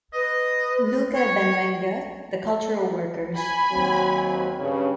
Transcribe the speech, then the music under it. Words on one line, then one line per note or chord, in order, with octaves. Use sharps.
Luca Benvenga The cultural workers.
B4 D#5
C#5
G#5 B5
D#2 F#3 C4
G2 C#3